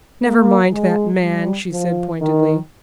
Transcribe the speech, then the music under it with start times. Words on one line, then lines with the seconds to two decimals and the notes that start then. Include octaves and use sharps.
"Never mind that man," she said pointedly.
0.22 A#3
0.72 G#3
1.22 G3
1.71 F3
2.21 D#3